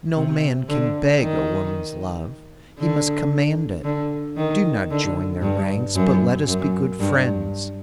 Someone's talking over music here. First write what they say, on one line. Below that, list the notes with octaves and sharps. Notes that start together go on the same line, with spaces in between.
No man can beg a woman's love; he must command it; do not join their ranks, but let us be good friends.
C3
D3
D#3
D3
D3
D#3
D3
G2
F#2
F#2
G2